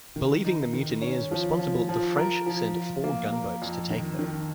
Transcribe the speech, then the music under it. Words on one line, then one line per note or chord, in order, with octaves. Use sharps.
Believing the mutineers responsible, the French send four gunboats to take her.
D#3
D#4
D#3
C#4
F3
F3
F3
A#4
F3
F3
A#3
A#4
F2
D#3
D#3